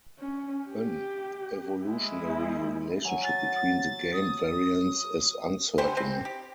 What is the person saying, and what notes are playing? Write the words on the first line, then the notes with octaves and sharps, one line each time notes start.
An evolutionary relationship between the game variants is uncertain.
C#4
G4
G#3 E4
F#3 G#5
A6
D#6
D3 E3 G4 C5
C4
G4